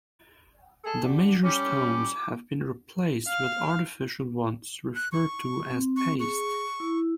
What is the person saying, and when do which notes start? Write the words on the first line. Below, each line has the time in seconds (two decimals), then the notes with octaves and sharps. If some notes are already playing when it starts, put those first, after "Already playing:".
The major stones have been replaced with artificial ones referred to as paste.
0.84 G#4 A4
1.04 D3 D4 G4
1.44 G3 C#4 D6
3.28 F5
4.95 F#6
5.12 C#6
5.70 C4
5.96 C#6
6.20 G#4 C#6
6.80 E4